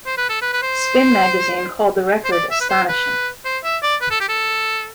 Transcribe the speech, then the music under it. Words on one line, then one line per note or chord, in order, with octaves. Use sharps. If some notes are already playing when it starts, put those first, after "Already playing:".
"Spin" magazine called the record "astonishing".
C5
B4
A4
B4
B4
C5
C5
D5
E5
B4
C5
B4
C5
E5
D5
B4
A4
G4
A4